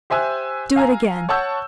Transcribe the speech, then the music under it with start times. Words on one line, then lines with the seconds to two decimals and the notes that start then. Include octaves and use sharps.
Do it again!
0.10 G4 C5 E5 G#5 E6 F#6
0.76 F5 G#5 A#5
1.29 C#5 F#5 A5 C#6 E6 G6